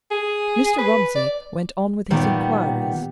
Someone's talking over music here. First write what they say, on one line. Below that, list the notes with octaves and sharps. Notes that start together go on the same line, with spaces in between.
Mr. Romsey went on with his inquiries.
G#4
B4
D5
A#2 D#3 G3 B3